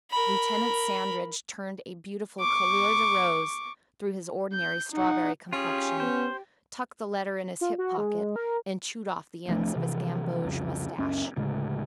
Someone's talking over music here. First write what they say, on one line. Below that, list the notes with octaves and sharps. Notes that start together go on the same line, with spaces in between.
Lieutenant Sandridge turned a beautiful /couleur de rose/ through his ordinary strawberry complexion, tucked the letter in his hip pocket, and chewed off the ends of his gamboge moustache.
A#4 B5
C#6 D6
G6
D#4 F#5
C#4 F4 G4 G#4
B3 C5
F4
F#4
G#3
A#4
C2 F3 A3 D4
C3 E3 F3
C2 F2 C#3
C#2 F#2 C#4
D2 A2 C#3 G#3